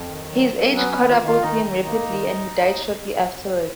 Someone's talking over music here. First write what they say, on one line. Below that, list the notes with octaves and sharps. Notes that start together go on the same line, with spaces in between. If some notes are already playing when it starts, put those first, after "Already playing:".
His age caught up with him rapidly and he died shortly afterwards.
Already playing: F2
D#3
F#3
F#3
B3 C#4 B4
B3 B4
D#3
F4 F5
D#3
F4 F5
D#3 D#4 D#5
D#3
A#3
D#3